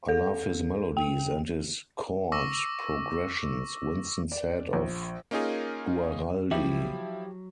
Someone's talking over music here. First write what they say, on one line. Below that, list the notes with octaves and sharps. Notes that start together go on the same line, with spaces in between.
"I love his melodies and his chord progressions", Winston said of Guaraldi.
A4
G5
C#6 D6 E6 A#6
D5
A#1
A#3 C#4 D#4 F4 G#4 A#4
F3 F#3 E4 G4